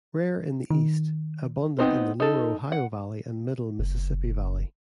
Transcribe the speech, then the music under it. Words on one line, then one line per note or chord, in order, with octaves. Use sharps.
Rare in the east, abundant in the lower Ohio Valley and middle Mississippi Valley.
D#3
B3 C4 D#4 A#4 C5
D#4 A4
F#5
F#1